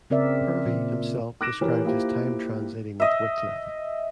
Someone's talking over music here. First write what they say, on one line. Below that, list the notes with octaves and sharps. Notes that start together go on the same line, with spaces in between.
Purvey, himself, described his time translating with Wycliffe.
C#3 C4 A#4 D5 E5
A#2
D6 F#6 A#6 D7 E7
E3 G4 A#4 C#5
A#3 E4 F4 G4 C5
D#5 E5